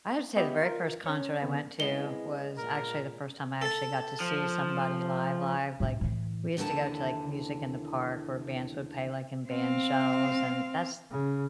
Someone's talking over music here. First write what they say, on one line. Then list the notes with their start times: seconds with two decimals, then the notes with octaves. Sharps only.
I have to say the very first concert I went to was actually the first time I actually got to see somebody live live, like, we used to go to, like, music in the park where bands would pay, like, in band shells, and that's,
0.37 B3 G4 D#5 E5
0.62 F4 A#4
1.06 C#4 C#5
1.42 D3 B3
1.80 G#3 B3 C4 E4 G7
2.58 A#2 A#4
3.62 A4 A5
4.20 F3
5.80 A2 D4
6.01 A2 E3
6.57 D#2 D3 E3 E4 A5
9.49 C4 F5
11.11 C#3